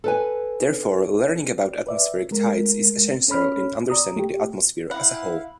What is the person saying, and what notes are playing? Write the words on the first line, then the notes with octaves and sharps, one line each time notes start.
Therefore, learning about atmospheric tides is essential in understanding the atmosphere as a whole.
A4 B4 G#5
B4 D5 E5
G#3 A3 A#4
C#4 A4 C#5 B5 F6
D5 A#5 D#6
A3 G4
E4 F5 F#5 B5